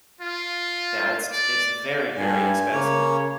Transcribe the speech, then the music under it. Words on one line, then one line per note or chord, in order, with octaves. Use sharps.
Yeah, it's it's very, very expensive.
F4
D5
G2 G#5
C#3 A#3 C#5